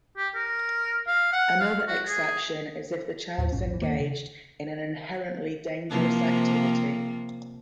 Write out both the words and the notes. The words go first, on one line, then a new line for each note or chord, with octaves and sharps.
Another exception is if the child is engaged in an inherently dangerous activity.
G4
A#4
F5
F#5
F5
F#4
G#4
D#2 A2
A#1 G#2 C#4
E2 E3
D#1 C#2 D#3 A#3
C#3
C3 F3 A#3